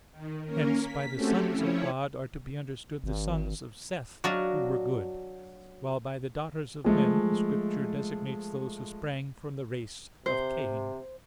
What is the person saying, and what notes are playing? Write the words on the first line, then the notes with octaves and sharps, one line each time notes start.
Hence by the sons of God are to be understood the sons of Seth, who were good; while by the daughters of men the Scripture designates those who sprang from the race of Cain.
D#3
A#3 C#4 A#4
B6
A3 C4 C#4 F#4 G4 A4
F3 C#4 E4 C#5
G#1
F#3 D4 F#4 D5 D#5 F5
F3 G#3 A3
C3 C5